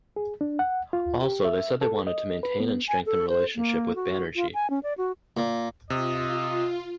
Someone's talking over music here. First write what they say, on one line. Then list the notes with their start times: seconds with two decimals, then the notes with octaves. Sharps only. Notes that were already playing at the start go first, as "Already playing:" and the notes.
Also they said they wanted to maintain and strengthen relationship with Banerjee.
0.16 G#4
0.41 D4
0.59 F#5
0.93 F4
1.23 G4
1.45 E5
1.81 A4
2.07 D#5
2.43 B4
2.60 B3
2.88 G#5
3.06 A4
3.29 C5
3.55 A#3
3.96 F#4
4.36 F4
4.54 G#5
4.70 C#4
4.83 D5
4.98 F#4
5.37 A#2
5.90 C3 F4 D#5